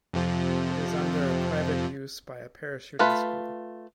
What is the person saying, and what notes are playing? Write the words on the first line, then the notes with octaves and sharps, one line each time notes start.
It is under a private use by a parachuting school.
F2 C3 F3
A3 F4 B4